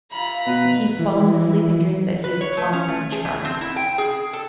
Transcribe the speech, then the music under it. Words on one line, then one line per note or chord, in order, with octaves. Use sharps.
I keep falling asleep and dreaming that he is caught and being tried.'
C3 F4 A#5 B5
B2 B4
E3
B4
C#5
A3
C#4
A3
G#4
A3
C4
E4
G5
G#4
A4